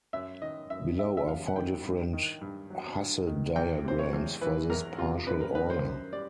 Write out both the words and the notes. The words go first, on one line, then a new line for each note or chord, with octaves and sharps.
Below are four different Hasse diagrams for this partial order.
F#2 E5
D#3 D#5
F#2 E5
G3 E5
E5
F#2 F5
F#5
D#3 G5
G2
D#3
G2
F#3
G2
D#3
E2 G5
C3 C5
C#5
E2
E3 B4
E2 A#4
C3 F4
F#2 B4
A#4
D#3 B4
C5
F#2
G3 D5